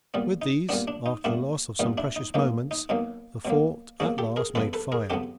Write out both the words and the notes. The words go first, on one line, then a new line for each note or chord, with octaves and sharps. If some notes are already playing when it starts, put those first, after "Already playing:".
With these, after the loss of some precious moments, the fort at last made fire.
A#2 G3 B3
D#4
A#2 G3 B3 D4
D4
D#4
A#2 G3 B3 D4 E4
A#2 G3 B3 D#4
D4 E4
D#4
B2 F#3 A#3 D#4
D#4
B2 F#3 A#3 D#4
B2 F#3 A#3
B2 F#3 A#3 F#4 G#4
G4 A4
G#4 A#4
F2 C#3 F#3 B3 A4 B4
A4 B4
G#4 A#4
F2 C#3 F#3 B3 G4 A4